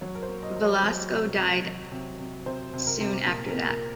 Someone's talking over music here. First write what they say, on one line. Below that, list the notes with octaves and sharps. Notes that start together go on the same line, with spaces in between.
Velasco died soon after that.
F#3 C#5
A#4
C5
A#3
D#5
F#3
C#5
F#3
C3
C3
F#3
C3
C3
C3 C5
C3
A#4
C3
A#2 A#4
A#4
A#2
A#4